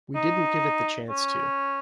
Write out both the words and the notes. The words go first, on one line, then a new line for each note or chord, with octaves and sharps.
We didn't give it the chance to.
D#4
C#4